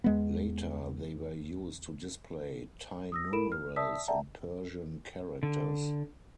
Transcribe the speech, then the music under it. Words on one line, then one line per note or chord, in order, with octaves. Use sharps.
Later they were used to display Thai numerals and Persian characters.
E2 G#3 B3
D#6 E6 A#6
E4 A4 A#4 B5 D7 E7
F6
D5 E5 A5 D#6 E6 B6
D5 E5 F#5 G5 A5 A#5
D3